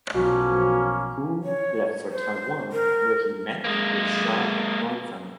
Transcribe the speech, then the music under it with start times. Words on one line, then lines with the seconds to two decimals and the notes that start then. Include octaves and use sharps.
Hu left for Taiwan where he met with Sha Rongfeng.
0.14 B1 F3 A#3 C#4 F#4
1.44 C#5
2.10 C5
2.72 A#4
3.64 G#3 A#3